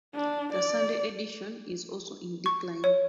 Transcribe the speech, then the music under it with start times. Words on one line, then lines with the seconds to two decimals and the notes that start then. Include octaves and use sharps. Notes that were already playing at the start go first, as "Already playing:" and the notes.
The Sunday edition is also in decline.
0.15 D4
0.54 D5
2.46 C#6
2.84 C#5